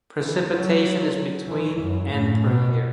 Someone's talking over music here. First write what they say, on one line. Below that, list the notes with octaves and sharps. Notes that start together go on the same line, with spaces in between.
Precipitation is between and per year.
E3
F#3
E3
F#2
A2
B2